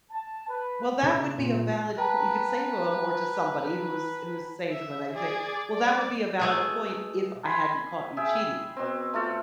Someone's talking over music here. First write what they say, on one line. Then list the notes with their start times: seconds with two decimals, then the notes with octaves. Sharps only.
"Well, that would be a valid poi" you could say to 'em or to somebody who's who's saying something like that, you could say, "Well, that would be a valid point if I hadn't caught you cheating.
0.12 A5
0.49 B4
1.03 C#3
1.38 A#2
1.98 B4 G5 A5 A#5
4.72 E5
5.13 G#4 D5
5.73 D5
6.40 B2 G#3 A3
7.45 G#5 B5 C6
8.17 G#4 E5 G5
8.76 B2 C4
9.14 A3 F4 A4